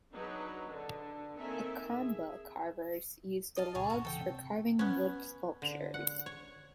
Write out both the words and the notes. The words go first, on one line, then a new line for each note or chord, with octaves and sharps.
"Akamba" carvers use the logs for carving wood sculptures.
F#3 D4 D#4 G#4 B4
D3
D#3 A#3 C4 A4 E5 G#5
G#4 E5
D#5 F5 A5
C#2 A#2 C#3 G#4 C#5 A5
C#2 G2 A#2 F#4
C#3 E3 A4 G5
C3 E3 C4
B3 C#4
D3
F#5
C#5